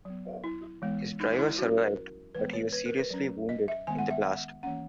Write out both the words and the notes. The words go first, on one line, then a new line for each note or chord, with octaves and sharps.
His driver survived, but he was seriously wounded in the blast.
F#3 B3
E4
E3 G#3 B3
D#4
E4
F#3 C#4 F#4
A#4
E3 G#3 B3 B4
C#5
B4
A#4
B4
F#3 C#4
D#5
E5
D#3 G#3 B3 G#5
F#5
E5
F#5
E3 A#3 C#4 F#5